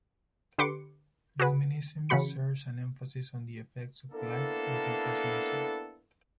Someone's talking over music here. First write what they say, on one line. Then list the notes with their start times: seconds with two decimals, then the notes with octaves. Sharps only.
Luminism shares an emphasis on the effects of light with impressionism.
0.58 D3 G4 B4 C6 D6 C#7
1.40 F#4 G#4 B4
2.09 C#3 E3 F#4 B5 C#7
4.12 A#3 B3 D4 E4 A4